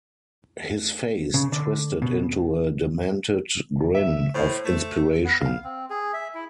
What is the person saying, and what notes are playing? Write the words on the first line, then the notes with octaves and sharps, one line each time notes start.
His face twisted into a demented grin of inspiration.
C#3
D3
B2
E5
A2 C5
A3
B3
F5
C4
G#4
E5
E4